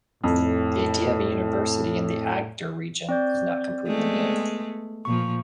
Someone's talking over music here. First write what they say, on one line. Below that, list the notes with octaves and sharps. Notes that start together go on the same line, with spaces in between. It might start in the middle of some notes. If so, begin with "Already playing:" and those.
The idea of a university in the Agder region is not completely new.
F2 A2
C4 D5 G6
G#3 A3 B3
A#2 F3 C#6